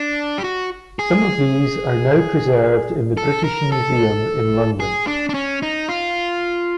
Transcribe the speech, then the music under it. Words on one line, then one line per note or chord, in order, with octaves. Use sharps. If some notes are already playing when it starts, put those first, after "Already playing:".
Some of these are now preserved in the British Museum in London.
Already playing: D4
G4
F#4
G#4
A4
A#4
A4
G#4
D4
D4
C#4
D#4
F4